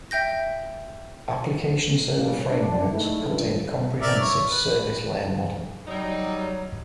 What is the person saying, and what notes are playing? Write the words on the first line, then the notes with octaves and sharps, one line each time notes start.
Application Server Frameworks contain a comprehensive service layer model.
E5 G5 G6 A#6
A2 C#3 G3 A#3
D4
G#3 A3 D#4 E4
C#2 G2
A#4 D5 E5
C#5
B4
F#3 G3 D#4